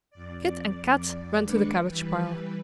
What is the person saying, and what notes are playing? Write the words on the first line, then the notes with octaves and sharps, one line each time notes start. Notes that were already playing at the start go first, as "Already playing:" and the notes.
Kit and Kat ran to the cabbage-pile.
F2 D5
D#2 G#3 D4 B4 D6 C#7
E3 G3 B4